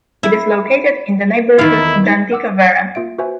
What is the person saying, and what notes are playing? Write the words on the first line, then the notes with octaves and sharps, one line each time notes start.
It is located in the neighborhood Jacinto Vera.
E4
E2 D#3 D#4 E4 F5
A#4 F#5 D6 E6
D5 F#5 A5
A#3 F4 E5 D7
F#4 B4 C5 E5 G#5